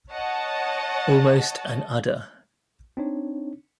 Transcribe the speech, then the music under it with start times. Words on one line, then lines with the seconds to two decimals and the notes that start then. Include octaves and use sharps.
Almost an udder.
0.13 C#5 D#5 F#5 A5
2.97 C4 D4 D#4 C#5